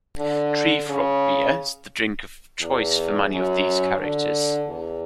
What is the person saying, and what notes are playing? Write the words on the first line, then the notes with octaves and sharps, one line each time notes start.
"Tree Frog Beer" is the drink of choice for many of these characters.
D3
C#3
E2
F#2
D3
E2